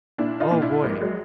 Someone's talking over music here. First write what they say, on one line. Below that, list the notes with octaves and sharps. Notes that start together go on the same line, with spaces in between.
oh, boy,
A#2 D4 E4
D#4 F4
A#2
D4 E4
A#1 G#3 A#3
F#3 G#3